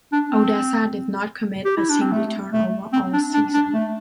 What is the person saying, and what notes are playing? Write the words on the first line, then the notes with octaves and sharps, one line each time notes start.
Odessa did not commit a single turnover all season.
D4
C4
G4
E4
D4
C4
A3
A3
C4
D4
D4
D4
A3